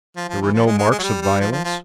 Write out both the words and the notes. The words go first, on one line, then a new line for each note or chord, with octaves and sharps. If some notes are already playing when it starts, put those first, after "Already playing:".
"There were no marks of violence?"
F3
F3
E3
F3
G#3
G#3
G#3
F#3
G3
G3
F3
F3
F3